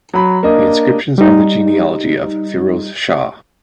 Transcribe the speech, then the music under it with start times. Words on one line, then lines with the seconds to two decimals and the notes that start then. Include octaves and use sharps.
The inscriptions are the genealogy of Firoz Shah.
0.14 F#3 B5
0.43 A#3 D4 D#5
1.18 G3 D#4